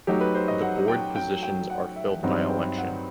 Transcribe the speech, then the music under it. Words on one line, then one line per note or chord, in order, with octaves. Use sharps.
The board positions are filled by election.
F#3 A3 D#4 F#4 G4
B4
C5
D#5
F#5
G5
G5
G5
F#5
E5
G2 F#3 C4 D#4 F#5
G5
F#5